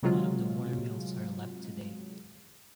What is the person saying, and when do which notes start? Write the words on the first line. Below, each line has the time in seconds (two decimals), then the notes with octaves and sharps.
None of the watermills are left today.
0.03 C3 F#3 G#3 F4